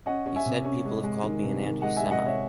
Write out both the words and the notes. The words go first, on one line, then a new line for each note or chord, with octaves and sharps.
He said People have called me an anti-Semite.
C#4 D#5 F#5
C#4
E5 G#5
C3
C#4
G#3
G#3
D#3
C3
D#3
G#3 D#5 F#5
G#3 E5 G#5
D#5 F#5
C3 C#5 E5